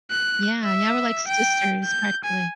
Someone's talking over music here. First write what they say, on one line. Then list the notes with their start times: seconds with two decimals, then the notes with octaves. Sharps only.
Yeah, yeah, we're like sisters, practically.
0.10 F#6
0.64 E5
1.27 G5
1.84 G6
2.24 G#5